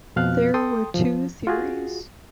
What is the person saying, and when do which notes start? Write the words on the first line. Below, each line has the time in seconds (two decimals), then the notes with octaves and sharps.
There were two theories.
0.16 F2 B2 F5 F6 F#6
0.54 A4 G5 C6 D#6
0.94 F3
1.47 F4 F#4 G#4